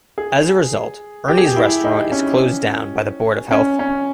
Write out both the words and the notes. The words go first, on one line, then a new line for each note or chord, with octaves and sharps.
As a result, Ernie's restaurant is closed down by the Board of Health.
G#4
G4
G#4
G4
E4
D#4
C#4
C#4
C#4